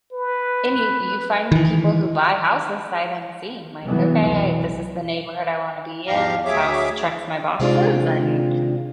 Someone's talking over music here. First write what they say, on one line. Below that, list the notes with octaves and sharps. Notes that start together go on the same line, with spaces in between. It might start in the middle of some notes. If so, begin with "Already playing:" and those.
and you you find people who buy houses sight unseen, like, "Okay. This is the neighborhood I wanna be in. This house checks my boxes, and
B4
D#3 E3
C3 E3 F#3 G3 A3 B3
C2 F2 B2 E3 F#3
E2 G#2 F3 G4 F5 A#5
D2 F#3 G#4 C#5 E5 D6
C3 D#3 G#3 D4 F4 D5